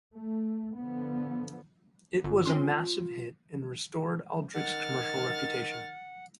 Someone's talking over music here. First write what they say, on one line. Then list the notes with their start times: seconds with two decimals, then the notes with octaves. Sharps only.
It was a massive hit and restored Aldrich's commercial reputation.
0.15 A3
0.77 D3 F3 B3
2.24 G1 F4
2.45 C4 C#4 C6
4.54 D#3 F#5 F6 A6